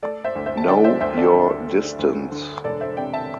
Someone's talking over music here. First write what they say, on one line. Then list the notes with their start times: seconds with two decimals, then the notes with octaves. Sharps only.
Know your distance.
0.02 A3 A4 D5
0.24 C5 E5
0.36 D2
0.46 C5 E5
0.57 A5
0.68 D3 D5 G5
0.84 C5 E5
1.00 D2 C5 E5
1.17 A4 D5
1.34 D2
1.66 A3
1.99 D2
2.32 D3
2.64 E1 A4 D5
2.81 C5 E5
2.97 C3 D5 G5
3.13 E5 A5